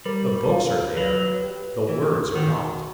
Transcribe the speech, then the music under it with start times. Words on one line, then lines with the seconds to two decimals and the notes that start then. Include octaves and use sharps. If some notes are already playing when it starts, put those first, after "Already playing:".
The books are there--the words are not.
0.05 G3 A#4
0.50 F4
0.97 F#3 B4
1.44 G4
1.89 E3 A#4
2.34 D#3 F#4